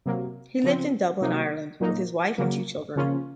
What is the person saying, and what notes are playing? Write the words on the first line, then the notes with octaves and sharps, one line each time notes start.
He lived in Dublin, Ireland with his wife and two children.
C3 F#3 A#3
C#3 F3 C4
C3 F#3 A#3 D#4
A#2 F#3 A#3 D#4
C#3 F#3 A#3
C#3 F3 A#3 C#4 F4